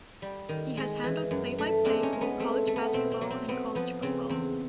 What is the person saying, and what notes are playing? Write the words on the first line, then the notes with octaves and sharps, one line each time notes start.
He has handled play-by-play for college basketball and college football.
G3
D#3
G#3
E3
F#2
A3
G#3 C4 D4
C#4 D#4
G#3
B3 C#4
A3 C4
A3
B3
B2 C4
C4
F#3
C4
B3 C4
F3 B3
C#3 C4
E2 C4